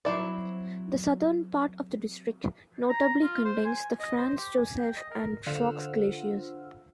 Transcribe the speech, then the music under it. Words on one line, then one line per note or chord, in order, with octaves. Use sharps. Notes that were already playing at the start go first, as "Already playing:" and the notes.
The southern part of the District notably contains the Franz Josef and Fox glaciers.
F#3 C4 E4 C5 D5
A#5
F4
C5
G#5
D#5
C5
G4
G#5
G5
D#5
A#4
D3 F4 C5 F#5 E6 F6